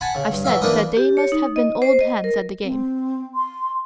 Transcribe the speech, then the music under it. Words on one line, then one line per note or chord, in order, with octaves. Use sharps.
I've said that they must have been old hands at the game.
F#5 G#5 A5 B5
C#3
G2
E3 F#3 E5 F5
E3 A#3 D4 A#4 B4 D#5
G4
C#5
D#4
D#5
C5
D#5
A#4
C4
C6